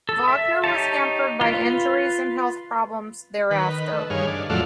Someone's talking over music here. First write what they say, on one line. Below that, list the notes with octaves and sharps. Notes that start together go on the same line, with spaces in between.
Wagner was hampered by injuries and health problems thereafter.
A4
E5
D#4 G4 C#5 A5
F4 B4
D#3 B4
A3
G2 D#3 G#4 C#5 F5
D4
F2 A2 F#3 A3 D4 F5